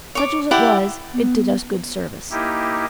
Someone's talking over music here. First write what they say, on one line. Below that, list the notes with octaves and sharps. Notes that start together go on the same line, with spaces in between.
Such as it was, it did us good service.
C#5 D6
E4 G4 D5 F#5
B3
A#3 D#4 E4 G4